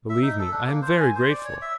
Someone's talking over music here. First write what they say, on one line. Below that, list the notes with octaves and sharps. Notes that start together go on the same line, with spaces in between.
Believe me, I am very grateful.
E5
D#4
A4
D4
A#3
C5
G#5
C5
D5
C#5
E5